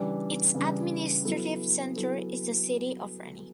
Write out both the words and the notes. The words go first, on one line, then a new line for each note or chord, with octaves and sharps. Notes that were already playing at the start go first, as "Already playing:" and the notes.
Its administrative center is the city of Reni.
Already playing: C#3 E3 G3 D4
C#3 E3 G3 D4
F#3 B3 E4 A4
F#3 B3 E4 A4